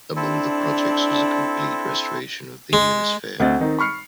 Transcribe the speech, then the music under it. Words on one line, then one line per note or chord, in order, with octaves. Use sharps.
Among the projects was a complete restoration of the Unisphere.
C4 D4 E4 A4
G#3
D2 C4 D#5 A6
D#3 C4 D#4
B5 C#6 F6 C7 C#7